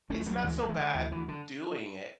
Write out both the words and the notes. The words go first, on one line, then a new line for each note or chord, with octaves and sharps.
it's not so bad doing it,
D2 A3 C#4
G#3
D2 F#3 A3
F#3
D2 E3 G#3
D2
A3
E3 G#3
D3
D2 E3
D2 E3
D3